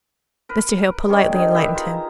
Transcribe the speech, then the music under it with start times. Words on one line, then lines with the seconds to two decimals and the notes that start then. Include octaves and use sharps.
Mr. Hale politely enlightened him.
0.49 A#4 B4
1.08 G3 G#3 C#4
1.32 D3 D#3 G#4
1.54 D#4 G4 B4 E5
1.75 F4 G#4 A#5